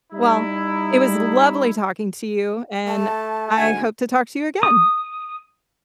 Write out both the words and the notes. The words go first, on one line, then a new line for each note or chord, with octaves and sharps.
Well, it was lovely talking to you, and I hope to talk to you again.
G3 D#4 E4
A3 A5
D2 G#2 F#5 G#5
D#6